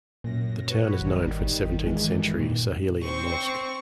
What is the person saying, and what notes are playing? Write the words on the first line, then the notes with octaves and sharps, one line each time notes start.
The town is known for its seventeenth century Sahelian mosque.
F#2 A#2 A#6
F#4 B4 C#5
G#1 D#3 G3
G#1
G2 D#3 E3 G#3
A#2
C4 C#6